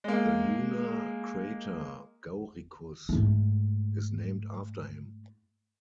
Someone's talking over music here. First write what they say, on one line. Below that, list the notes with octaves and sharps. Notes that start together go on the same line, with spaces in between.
The lunar crater Gauricus is named after him.
G#3 A#3
G#2 A3